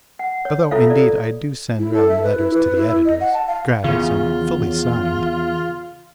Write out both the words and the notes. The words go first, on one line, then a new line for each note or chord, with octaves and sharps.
Though indeed I do send round letters to the editors gratis and fully signed.
F#5
C#5
E4 F4 A4 C#5 E5 F5
A4 D5
E4
A4
E5
B4
E4
B4
E4
D#5
F#5
A5
F5
E2 C#3 F4